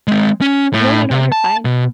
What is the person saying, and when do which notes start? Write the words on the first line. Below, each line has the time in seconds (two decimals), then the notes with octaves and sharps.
No, no, no, you're fine.
0.08 G#3 C4
0.41 C#4
0.73 A2
1.11 C3
1.32 A5
1.65 B2